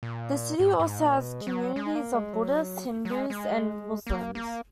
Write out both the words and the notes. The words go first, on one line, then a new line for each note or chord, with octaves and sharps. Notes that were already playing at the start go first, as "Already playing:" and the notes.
The city also has communities of Buddhists, Hindus and Muslims.
A#2
G#2
G#2
A#2
B2
G#3
F#3
G#3
A#3
G#3
F#3
F#3
G#3
G#3
A#3
A#3